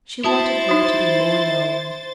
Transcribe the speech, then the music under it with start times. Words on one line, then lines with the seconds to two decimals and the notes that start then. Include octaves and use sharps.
She wanted her to be more known.
0.24 E4 F#4 C5 A5 A6
0.69 D#4 F#4